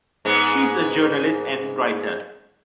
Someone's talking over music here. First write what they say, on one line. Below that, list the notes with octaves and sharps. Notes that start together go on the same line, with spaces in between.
She’s a journalist and writer.
G#2 G#3 B3